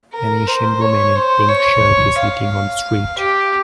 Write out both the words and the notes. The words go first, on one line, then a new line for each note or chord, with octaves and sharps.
An asian woman in pink shirt is eating on the street.
A#4
C5
C#5
C5
C#5
F5
G4